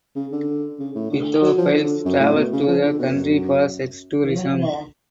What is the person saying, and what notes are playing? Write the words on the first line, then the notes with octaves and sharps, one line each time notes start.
Pedophiles travel to the country for sex tourism.
C#3
D3
C#3
A2
D3
F#3
F3
D3
F#2
A2
B2
C#3
F3
D3
B2
F#2